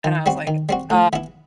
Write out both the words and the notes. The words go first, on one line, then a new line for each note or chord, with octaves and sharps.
and I was like, "Uh,
D#3
G3 C4 F#4
D#3
G3 C4 F#4
A2
E3 B3 E4